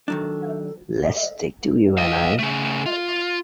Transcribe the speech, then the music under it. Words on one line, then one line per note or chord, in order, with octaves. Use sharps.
Let's stick to you and I.
D#3 F#3 D4 A4
D#5 F5
C#3 A3
F4